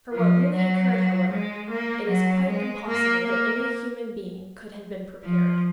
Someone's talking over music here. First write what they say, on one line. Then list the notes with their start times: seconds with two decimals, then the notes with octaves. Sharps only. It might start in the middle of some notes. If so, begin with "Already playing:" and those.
For what really occurred, however, it is quite impossible that any human being could have been prepared.
0.13 F3
0.53 F#3
1.31 G#3
1.70 A#3
2.09 F#3
2.49 G#3
2.88 A#3
3.27 A#3
5.23 F3